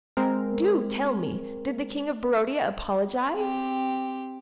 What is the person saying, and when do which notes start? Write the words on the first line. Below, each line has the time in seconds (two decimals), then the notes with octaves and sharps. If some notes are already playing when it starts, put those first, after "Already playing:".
"Do tell me, did the King of Barodia apologise?"
0.17 G#3 C4 A#4
3.35 C4 G4